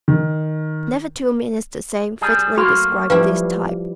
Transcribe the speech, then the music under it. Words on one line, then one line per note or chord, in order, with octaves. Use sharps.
"Never two minutes the same" fitly describes this type.
D#3
G3 G#4
F#3 A3 A#3 F#4 B5
F3 G3 E4 B4